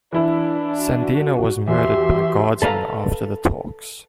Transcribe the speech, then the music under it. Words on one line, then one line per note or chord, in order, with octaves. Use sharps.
Sandino was murdered by Guardsmen after the talks.
E3 D4 E4
F#4
E2 F#4 G4 E5 C6
A4 B4 C#5 F5 A#5